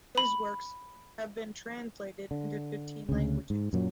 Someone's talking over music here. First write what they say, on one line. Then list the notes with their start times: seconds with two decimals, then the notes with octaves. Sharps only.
His works have been translated into fifteen languages.
0.18 B5
2.31 D3
3.09 D2 C#3
3.50 G#2
3.73 F#2 A#2 F#3